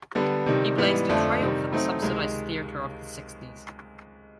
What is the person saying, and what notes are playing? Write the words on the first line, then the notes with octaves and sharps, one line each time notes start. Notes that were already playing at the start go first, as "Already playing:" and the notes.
He blazed a trail for the subsidised theatre of the sixties.
D3 G3 B3
C3 D#3 G3
G#2 E3 G3 B3
F2 D3 F3 A3 D4
C3 D#3 G3
F#3 A3 C4 D#4
C#2 C3 D#3 G#3